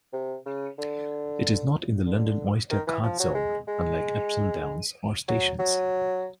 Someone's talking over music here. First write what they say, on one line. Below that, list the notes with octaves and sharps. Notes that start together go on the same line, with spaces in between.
It is not in the London Oyster card zone unlike Epsom Downs or stations.
C3
C#3
D3
D3
D#3
E3
F3
F#3
G#3
G#3
F#3
F#3